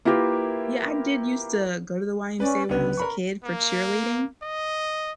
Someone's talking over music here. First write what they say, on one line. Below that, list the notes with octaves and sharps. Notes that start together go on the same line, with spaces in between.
Yeah, I did used to go to the YMCA when I was a kid for cheerleading.
A#3 E4 F4 G4 A#4 B4
C#4 B4 D5
C#2 D3 B3 B4
A#4 B5 C#6
A#3
D#5